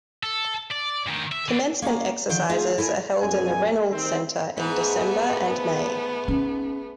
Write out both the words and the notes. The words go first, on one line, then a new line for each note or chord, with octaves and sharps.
Commencement exercises are held in the Reynolds Center in December and May.
A4
D5
D2 D#3
E5
E3 D4
A#3 C#4 F5 A#5
D3 D#3 F3 G5
A3 D#4 F4 G#4
E4 A4 A#4 G#5
F#2 B2 G#4 G#5
D#3 C4
G#2 A3 B3
C#4 D#4